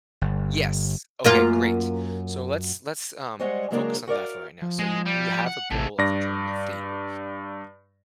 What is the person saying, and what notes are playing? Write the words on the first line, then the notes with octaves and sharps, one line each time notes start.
Yes. Okay, great. So, let's let's, um, focus on that for right now. So, you you have a goal of returning to theater,
G1
F#2 A#3 F4
G3 G#3 C5 C#5 D#5 F#5
C#3 F#3 G#3 A#3 D4 A#4
F#4 A#4 D5 F5
F3
G#3
G3
F#5
A1 C3 A3
G2 D5 A#6